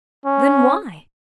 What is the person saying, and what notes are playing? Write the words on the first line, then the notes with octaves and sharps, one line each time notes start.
Then, why?
C#4